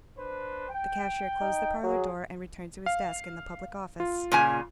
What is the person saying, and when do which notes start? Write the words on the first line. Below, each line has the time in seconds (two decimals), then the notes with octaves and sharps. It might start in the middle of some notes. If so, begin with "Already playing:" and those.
The cashier closed the parlour-door and returned to his desk in the public office.
0.17 D4 B4 C5
0.70 G5
1.41 D#4
1.83 F#3 G#4
2.86 F5
4.00 F4
4.32 A#2 C#3 G#5